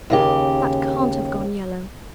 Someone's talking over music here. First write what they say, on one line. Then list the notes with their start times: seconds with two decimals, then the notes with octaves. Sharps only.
That can't have gone yellow.'
0.10 D#2 C#3 G4